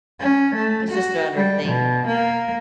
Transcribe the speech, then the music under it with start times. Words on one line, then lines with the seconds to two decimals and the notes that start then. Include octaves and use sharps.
It's just another thing.
0.20 C#4
0.55 A3
0.91 F#4
1.35 G3
1.65 B2
2.06 A#3